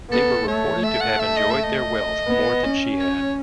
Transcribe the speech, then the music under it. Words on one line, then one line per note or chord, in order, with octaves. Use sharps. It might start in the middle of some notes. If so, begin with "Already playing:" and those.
They were reported to have enjoyed their wealth more than she had.
B3 A4
A3 C#5
A3 E5
F#5
E5
D#5
E5
D#5
B3
C#4
C#5